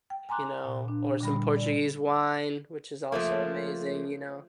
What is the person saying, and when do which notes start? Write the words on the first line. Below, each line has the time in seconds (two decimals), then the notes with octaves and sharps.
you know, or some Portuguese wine, which is also amazing, you know?
0.10 G5
0.29 G#5 A#5 C6 D6 F#6
0.65 A#2
0.88 D4
1.21 A#2 D3 G3 B5
1.56 D5
3.12 F3 A3 A#3